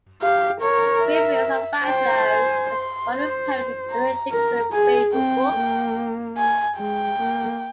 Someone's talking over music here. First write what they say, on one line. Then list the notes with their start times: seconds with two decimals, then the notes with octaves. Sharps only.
"Reveries of a Bachelor" was one of poet Emily Dickinson's favorite books.
0.22 G4 F5
0.62 A#4 C#5
1.04 E5
1.85 C5 G5
2.27 G#5
2.68 C6
3.09 C5
3.91 A#5
4.32 A#4 A#5
4.72 G#4 G#5
5.13 C4 G5
5.54 A#3
6.37 G#5
6.78 G#3 G5
7.19 A#3